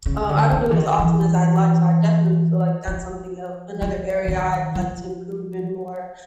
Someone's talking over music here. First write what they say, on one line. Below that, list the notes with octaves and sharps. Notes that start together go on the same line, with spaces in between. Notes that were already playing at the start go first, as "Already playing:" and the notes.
Um, I don't do it as often as I'd like, so I definitely feel like that's something el another area I'd like to improve in more,
C#3
D3
D#3
E3
D#3
E3
F3
F3
D#3
F3